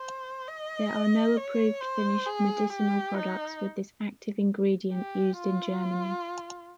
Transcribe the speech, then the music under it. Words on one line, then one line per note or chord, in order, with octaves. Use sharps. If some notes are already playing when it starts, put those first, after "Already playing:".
There are no approved finished medicinal products with this active ingredient used in Germany.
Already playing: C5
D#5
C#5
C5
G#4
G4
D#4
G4
F4